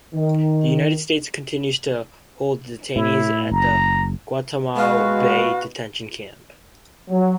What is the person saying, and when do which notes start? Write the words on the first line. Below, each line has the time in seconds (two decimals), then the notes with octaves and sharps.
The United States continues to hold detainees at the Guantanamo Bay detention camp.
0.15 D#3
2.96 A2 E4
3.52 F#1 A#5
4.77 B2 G#3 F#4 F5
7.10 F#3